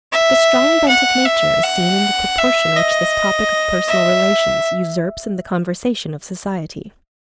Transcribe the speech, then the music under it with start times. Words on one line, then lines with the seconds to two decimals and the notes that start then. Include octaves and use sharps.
The strong bent of nature is seen in the proportion which this topic of personal relations usurps in the conversation of society.
0.12 E5
0.88 F#5
1.25 E5
1.63 F#5
2.38 E5
2.76 D#5
3.88 E5